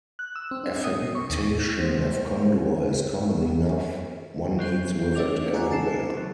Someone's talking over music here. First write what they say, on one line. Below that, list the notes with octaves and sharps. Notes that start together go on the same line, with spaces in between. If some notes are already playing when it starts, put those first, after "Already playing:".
Affectation of candour is common enough — one meets with it everywhere.
F#6
E6
C4
D4
D#6
B2
C#6
D#2
C5
F#3 C4 C5
C4
A3 D4 C#5 D#5 D6 F7
F#5 G#5 A#5 C#6 D6 F#6
G#5 A5 A6 C7 E7
F#3